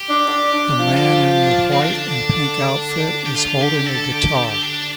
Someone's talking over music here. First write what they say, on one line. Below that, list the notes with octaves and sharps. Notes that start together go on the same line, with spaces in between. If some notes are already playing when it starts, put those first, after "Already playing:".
The man in the white and pink outfit is holding a guitar.
Already playing: G4
D4
D4
D4
F3
A4
G4
G4
D4
C4
D3 D4
G4
F4
G4
A4
G4
G4
A4
G4
D4